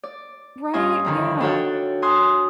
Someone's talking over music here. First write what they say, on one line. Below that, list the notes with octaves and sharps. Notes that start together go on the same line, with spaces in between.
Right? Yeah,
D5
G2 C#4 F4 D#5 G#5 C#6
F2 D3 D#3
D4 F#4 A4 C#5 F#5 G5
G#5 A5 C6 D#6 F#6